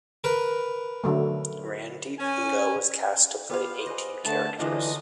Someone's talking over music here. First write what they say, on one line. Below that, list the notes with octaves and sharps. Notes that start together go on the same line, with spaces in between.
Randeep Hooda was cast to play eighteen characters.
A#4 B4
D3 F#3 A3
C#4 G#5
B3 F4 G4 F5
C5 D#5 F#5 G#5
D3 A3 A5
D3 E3 F#3 D4 D#4 F4 D#5